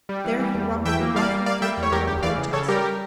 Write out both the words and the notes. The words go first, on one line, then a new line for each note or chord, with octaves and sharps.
There he rumbled a roughly good-humoured protest.
G3
E3
G3
E2
E2
E3 E5 G5
A#3
G3 D5 F5
A#3
A#3 D5 F5
G3 E5 G5
E2
C#5
E2 G4 A#4
D2 G4
E3 D5 F5
C#3
C#3 A4 C#5
G3 G4 A#4